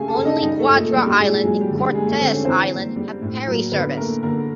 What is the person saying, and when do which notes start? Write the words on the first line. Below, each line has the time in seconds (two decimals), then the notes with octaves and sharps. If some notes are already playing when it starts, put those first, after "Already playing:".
Only Quadra Island and Cortes Island have ferry service.
Already playing: C#3 A3 G4 G#4 F5 G#5
0.08 A4 A5
0.17 C#3
0.25 D#4 D#5
0.42 G3 D#4 D#5
0.59 A3 A4
0.68 A#2
0.76 A3 A4
0.93 G3 A#3 G4
1.05 G3 G4
1.18 A#2 G#3 G#4
1.44 F#3 G#3 G#4
1.60 G3 G4
1.69 D3
1.78 G3 G4
1.94 G#3 A#3 G#4
2.07 A3 A4
2.20 D3 C4 C5
2.32 C#4 C#5
2.45 E3 C4 C5
2.70 A#3
2.96 G3
3.22 A2
3.47 F#3 A#3 A#4
3.72 D3 B3 B4
3.97 A3 A#3 A#4
4.23 D3 A#3 A#4